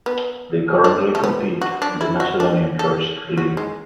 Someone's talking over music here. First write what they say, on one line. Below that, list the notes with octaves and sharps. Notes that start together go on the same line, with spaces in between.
They currently compete in the Macedonian First League.
B3
D4
A3
B3
F#4
D4
E4
F#4
D4
A4
F#4
G#3